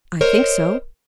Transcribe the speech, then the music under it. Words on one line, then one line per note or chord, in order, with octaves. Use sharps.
"I think so."
A#4 C5 C#5 D#5